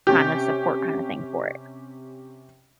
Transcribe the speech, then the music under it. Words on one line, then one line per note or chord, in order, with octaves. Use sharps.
kinda support kinda thing for it.
C3 C#4 G4